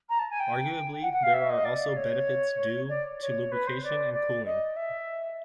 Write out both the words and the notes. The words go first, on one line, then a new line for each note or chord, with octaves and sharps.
Arguably there are also benefits due to lubrication and cooling.
A#5
A5
G#5
G5
F#5
F#5
F5
E5
D#5
D5
C#5
D5
C#5
B4
C5
D5
D5
D#5
E5